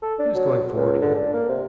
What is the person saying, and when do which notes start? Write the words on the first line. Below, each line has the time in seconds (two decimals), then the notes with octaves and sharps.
He was going forward again.
0.02 A4
0.19 D4
0.35 F#3
0.76 C#2
1.02 D3
1.14 D4
1.33 A#3
1.49 C3